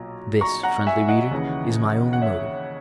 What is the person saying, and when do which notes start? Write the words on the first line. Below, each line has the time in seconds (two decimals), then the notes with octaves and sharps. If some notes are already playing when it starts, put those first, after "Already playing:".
This, friendly reader, is my only motive.
Already playing: B1 A#2 F#3 A#5
0.41 A#5 C#6
0.63 F#5 A#5
0.87 E5 G#5
1.08 D#5 F#5
1.31 D#2 C#3 E3
2.13 F#5
2.22 C#5 E5